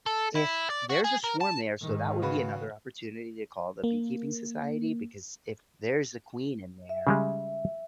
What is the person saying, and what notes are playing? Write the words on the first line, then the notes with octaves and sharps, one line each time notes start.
If there's a swarm there, so that would be another opportunity to call the beekeeping society because if there's a queen in there,
A4
E4
D5
F#4
G#4
A#4
A5
G#2 D#3
C#3 F#4 B4
A#3
E5
C#3 G3 G#3